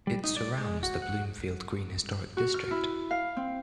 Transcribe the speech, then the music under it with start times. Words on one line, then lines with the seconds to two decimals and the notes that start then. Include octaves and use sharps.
It surrounds the Bloomfield Green Historic District.
0.07 G3
0.24 D#4
0.37 D5
0.58 G#3
0.83 F#4
1.02 F#5
2.37 F#4
2.54 F6
2.71 E4
3.11 F5
3.36 C4